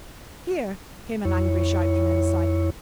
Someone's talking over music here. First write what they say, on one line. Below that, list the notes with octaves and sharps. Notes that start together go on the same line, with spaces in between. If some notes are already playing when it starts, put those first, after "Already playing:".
"Here!" came an angry shout from inside.
F2 E4 C#5